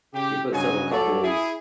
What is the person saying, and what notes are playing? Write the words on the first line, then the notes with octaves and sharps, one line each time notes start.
they put several couples
C#3 G4
G2 C#3 F#3 D#5 G#5
F#3 A4 C#5 D5
E4 G#4